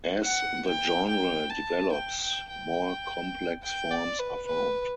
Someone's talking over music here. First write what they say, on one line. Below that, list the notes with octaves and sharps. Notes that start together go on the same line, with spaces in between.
As the genre develops, more complex forms are found.
F#5
G5
G5
A5
G5
G5
G5
G5
D5
B4
B4